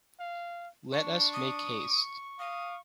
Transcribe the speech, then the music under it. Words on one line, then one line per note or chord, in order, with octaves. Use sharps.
Let us make haste.
F5
D4 C#6
D#6
F5 D#6